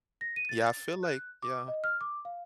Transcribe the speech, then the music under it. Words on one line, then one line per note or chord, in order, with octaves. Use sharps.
Yeah, I feel like yeah.
A#6
D#7
A6
F#6
D6
D#5
F6
D6
F5